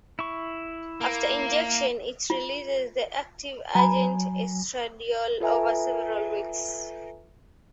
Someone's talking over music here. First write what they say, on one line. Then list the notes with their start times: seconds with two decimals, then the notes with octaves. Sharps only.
After injection, it releases the active agent estradiol over several weeks.
0.19 E4 C#6
1.01 A#3
2.30 F4
3.75 F#3 G#5 A#5 B5
5.40 F4 A4 B4 E5 G#5 A#5